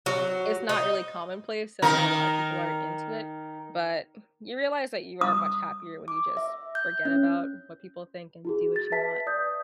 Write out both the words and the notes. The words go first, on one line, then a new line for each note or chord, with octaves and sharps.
it's not really commonplace and I know a lotta people aren't into it. But you realize that you are much happier when you just forget about what people think and do what you want.
F#3
D#4
D#3 A#4
D#6
D6
E5
G6
C#4
E4 F#4 G#4
A6
B4 E5 A5 B6
D5 D#6 G6